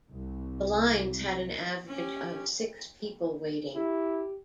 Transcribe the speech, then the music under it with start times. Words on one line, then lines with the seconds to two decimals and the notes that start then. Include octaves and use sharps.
The lines had an average of six people waiting.
0.10 C2
1.88 C#4 G4
3.75 E4 G4